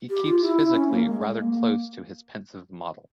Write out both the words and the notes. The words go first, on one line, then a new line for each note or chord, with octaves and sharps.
He keeps physically rather close to his pensive model.
G4
F4
E4
E4
C#4
A#3
G#3
G#3
A#3
A#3